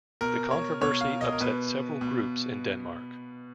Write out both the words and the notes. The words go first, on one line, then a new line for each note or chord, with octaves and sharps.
The controversy upset several groups in Denmark.
B2 A#4
C#5
B2 C#5
F5
D#5
A#4
B2 B4
B2